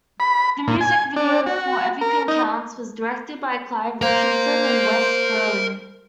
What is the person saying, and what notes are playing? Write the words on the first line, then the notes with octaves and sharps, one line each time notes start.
The music video for "Everything Counts" was directed by Clive Richardson in West Berlin.
B5
A#2
G#5
D4
F#4
A#4
D#4
A#4 C5 F5